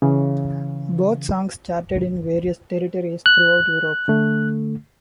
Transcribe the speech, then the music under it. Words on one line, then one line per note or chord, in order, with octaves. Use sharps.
Both songs charted in various territories throughout Europe.
C#3 E3
F#6
D3 A3